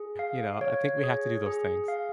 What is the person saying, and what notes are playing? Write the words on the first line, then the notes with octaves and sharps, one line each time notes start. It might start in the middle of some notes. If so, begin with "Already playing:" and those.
You know, I think we have to do those things.
Already playing: G#4
F5
C#5
G#4
G#4
F5